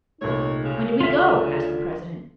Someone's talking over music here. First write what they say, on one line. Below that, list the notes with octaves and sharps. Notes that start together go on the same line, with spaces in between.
"When do we go?" asked the president.
C2 A#2 A3 D#4 C#5
C#3
D2 D3 F4 E5